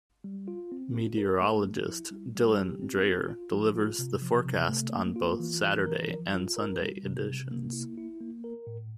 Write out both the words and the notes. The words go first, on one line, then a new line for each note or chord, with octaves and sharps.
Meteorologist Dylan Dreyer delivers the forecast on both Saturday and Sunday editions.
G3
F4
C4
F4
A#4
A3
F3
E4
G3
G3
G4
C4
F4
F4
F3
F4
C3
F3
C3
A3
A#3
F4
E3
E3
A#4
F3
F4
A#4
G3
C3
C3
A#3
E4
E4
A#3
A#4
A2